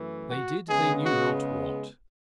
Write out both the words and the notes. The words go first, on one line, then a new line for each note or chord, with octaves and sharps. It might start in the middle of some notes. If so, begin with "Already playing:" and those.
They did they knew not what.
Already playing: F#2 E3 A3
F#4
C#3 G#3 B3 G#4
F#4